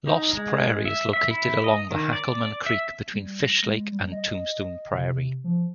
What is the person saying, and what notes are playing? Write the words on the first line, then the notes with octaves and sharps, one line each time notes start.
Lost Prairie is located along Hackleman Creek between Fish Lake and Tombstone Prairie.
D#4
G#3
E5
E5
E4
D#5
D#3
D5
E5
G3
A#6
G#3
G3
D#5
C3
F3